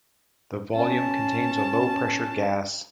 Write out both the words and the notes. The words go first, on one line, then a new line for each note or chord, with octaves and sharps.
The volume contains a low pressure gas.
C#4 A5